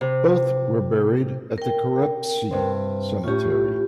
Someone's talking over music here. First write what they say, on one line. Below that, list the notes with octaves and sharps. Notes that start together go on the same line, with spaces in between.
Both were buried at the Kerepesi Cemetery.
C3
A#4 G5
G2 C3 C4
A2 C#4 F4 G4